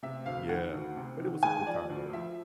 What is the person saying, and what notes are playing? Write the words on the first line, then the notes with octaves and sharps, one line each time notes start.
Yeah, but it was a good time, though.
C3 E5
D2 F5
D#3 F#5
D2
C3
D#3
G#3 G#5
F3 D5
D2
F3 E5